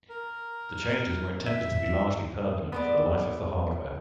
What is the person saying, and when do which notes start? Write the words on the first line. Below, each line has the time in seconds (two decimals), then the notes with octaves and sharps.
The changes were intended to be largely permanent for the life of the hardware.
0.09 A#4
1.46 E5
2.72 G#3 A3 B3 D5